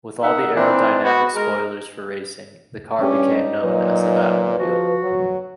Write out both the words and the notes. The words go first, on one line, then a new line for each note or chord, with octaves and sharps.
With all the aerodynamic spoilers for racing, the car became known as the 'Batmobile'.
D#4 A#4 E5 F#5
E3 C4 D4 D#4
B3 F#4
G#3 A#4
G2 C#4 G4
D#4
A#2 F#3 B4
F3 F#4
F#3